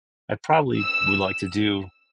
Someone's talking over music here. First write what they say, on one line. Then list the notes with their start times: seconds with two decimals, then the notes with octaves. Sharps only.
I probably would like to do
0.78 E6